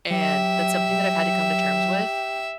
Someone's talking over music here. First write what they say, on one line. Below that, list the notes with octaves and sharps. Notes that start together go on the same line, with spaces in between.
And that's something that I've had to come to terms with,
F#3 G4 E5